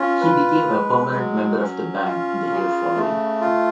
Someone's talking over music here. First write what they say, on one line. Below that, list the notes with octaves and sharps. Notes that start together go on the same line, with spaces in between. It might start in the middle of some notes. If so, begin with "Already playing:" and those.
He became a permanent member of the band in the year following.
Already playing: C#4 F4
B4
G#3
F#3
C#4
F4
C#3
A3
F4